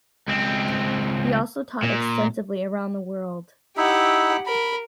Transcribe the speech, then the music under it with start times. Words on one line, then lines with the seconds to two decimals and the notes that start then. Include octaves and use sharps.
He also taught extensively around the world.
0.28 C#2 C4
1.83 A#2
3.77 D#4 E4 G4 E5 F#5
4.47 A#4 B5